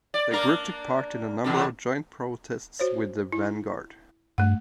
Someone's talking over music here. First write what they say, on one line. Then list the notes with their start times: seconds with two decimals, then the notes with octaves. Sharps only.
The group took part in a number of joint protests with the Vanguard.
0.14 D5
0.31 A#3 D4 A#4
1.44 E2 B2 D3
2.79 F#4 C5 C#5
3.33 E4
4.38 G2 A3 F#5